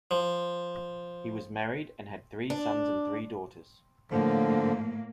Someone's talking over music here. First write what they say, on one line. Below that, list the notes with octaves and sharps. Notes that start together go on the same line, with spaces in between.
He was married and had three sons and three daughters.
F3
D4
A2 D3 F3 A#3